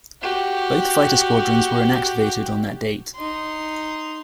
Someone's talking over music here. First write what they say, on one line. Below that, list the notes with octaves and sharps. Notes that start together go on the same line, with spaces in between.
Both fighter squadrons were inactivated on that date.
F#4 G4
D#4 C6